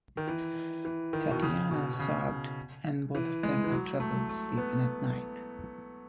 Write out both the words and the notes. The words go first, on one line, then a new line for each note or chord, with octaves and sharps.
Tatiana sobbed and both of them had trouble sleeping that night.
D#3
E3
E3
D#3
B2
C#3
B2
B2
C#3
E3
G#3
E3
F#3
A3
A3
B3